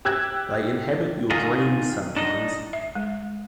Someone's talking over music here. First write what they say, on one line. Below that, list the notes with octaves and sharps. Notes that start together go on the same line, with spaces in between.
They inhabit your dreams sometimes.
G4 E6 F#6 G#6
D3 D#3 F4 G#4 A#4
D4 D#4 D#5
E5
G#3